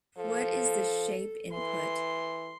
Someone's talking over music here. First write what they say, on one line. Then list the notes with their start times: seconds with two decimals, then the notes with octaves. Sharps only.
What is the shape input?
0.18 F3 A4
1.53 E3 C6